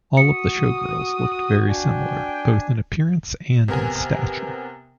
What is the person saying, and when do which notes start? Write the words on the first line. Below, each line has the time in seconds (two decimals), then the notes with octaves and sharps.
All of the showgirls looked very similar, both in appearance and in stature.
0.17 F#4 D#6 C#7
1.68 D4 G5 G#5
3.68 C3 B3 A#4 G#5